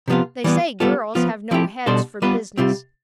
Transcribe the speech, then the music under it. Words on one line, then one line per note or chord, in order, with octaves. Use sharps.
They say girls have no heads for business.
C3 F3 B3 F4
E3 G3 B3
G3 B3 F4 A4
F3 B3 F4
F3 C4 E4 G4
B2 G3 D4 A4 C5
G3 B3 F4 B4
C3 G3 C4 F4